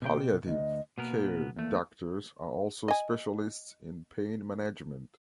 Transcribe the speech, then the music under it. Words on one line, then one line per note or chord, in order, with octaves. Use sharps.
Palliative care doctors are also specialists in pain management.
B2 G4 G5
D2 D#5
B2 A#3 B3 A#4
E2 A3 A#3
D#5 G#5